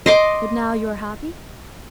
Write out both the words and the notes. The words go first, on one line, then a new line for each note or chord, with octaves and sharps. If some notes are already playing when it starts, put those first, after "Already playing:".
"But now you are happy?"
D#5 C6 D6